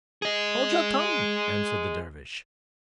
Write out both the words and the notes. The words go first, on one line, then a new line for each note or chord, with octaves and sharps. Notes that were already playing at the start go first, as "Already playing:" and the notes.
"Hold your tongue," answered the Dervish.
G#4 D#5